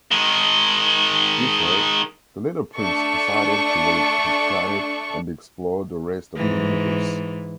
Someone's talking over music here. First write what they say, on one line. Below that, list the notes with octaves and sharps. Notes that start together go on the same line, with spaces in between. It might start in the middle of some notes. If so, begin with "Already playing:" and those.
This way, the Little Prince decided to leave his planet and explore the rest of the universe.
D#3 G#3
A3 D4 A4 C#6
G#2 E3